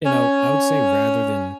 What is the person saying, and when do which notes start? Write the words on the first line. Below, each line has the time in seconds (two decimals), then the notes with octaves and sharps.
you know, I would say rather than
0.05 C#4